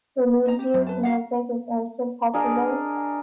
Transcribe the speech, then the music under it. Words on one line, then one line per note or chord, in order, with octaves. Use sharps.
Religious music is also popular.
D#4 D#5 A#5
G4
F#2
B4 A5
F#4 F5 F#5
D4 G#4 A#4 D#5